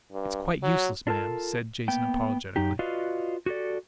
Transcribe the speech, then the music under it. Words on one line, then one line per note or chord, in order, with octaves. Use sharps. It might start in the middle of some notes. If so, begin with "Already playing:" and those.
"It's quite useless, ma'am," said Jason apologetically.
G2
F#3
D4 F4 A4 A#4 A5
A#3 B3 G5
F#2 D#4 G4
F4 F#4 B4 D5 D#5 F5
F#4 G4 A4 D5